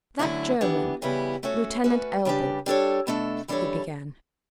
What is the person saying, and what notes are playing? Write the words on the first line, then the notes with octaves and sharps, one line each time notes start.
"That German, Lieutenant Elbl," he began.
D3 F#3 A3 C#4 E4
E3 G3 B3 D4
C#3 E3 G3 B3 E4
A3 C#4 F#4 A4 C#5
A3 C#4 F#4 B4
C#3 G3 D4 G4 B4
G3 D4 A4 C#5
B2 A3 D4 A4
E3 G3 D4 A4 C#5